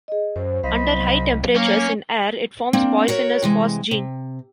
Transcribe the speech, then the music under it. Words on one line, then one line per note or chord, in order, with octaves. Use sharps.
Under high temperatures in air, it forms poisonous phosgene.
G#4 D#5
F#2 C5
C2 F#3 C5 D#5 F5 B5
A#3 C#4
A#3 C4 D4
F#4 A#4 C#5
C3 E3 G#3
C3